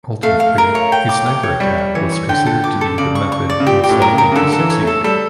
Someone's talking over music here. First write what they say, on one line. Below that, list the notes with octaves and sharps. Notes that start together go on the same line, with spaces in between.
Ultimately a sniper attack was considered to be the method most likely to succeed.
A3 F5
F5
A#4
C#5
G5
D6
G5
C#5
G3 C#6
C#6
E3 C#5
C#6
D3 G5
A4
D6
A4
C#3 D5
C#6
C#6
D5
C#3
A#2 G4
G4
A2
A#4
C#3
A#4
C#3
D3 A4
A4
E3
C#5
A3
A4
G3 A4